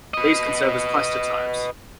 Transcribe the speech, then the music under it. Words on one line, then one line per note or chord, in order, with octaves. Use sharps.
These can serve as plastotypes.
B4 D#5